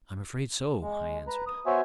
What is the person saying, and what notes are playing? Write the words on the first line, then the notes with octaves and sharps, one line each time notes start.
"I'm afraid so," I answered.
G#3
B4 A#5
D#6
B3 F#4 C5 C#5 E5 G#5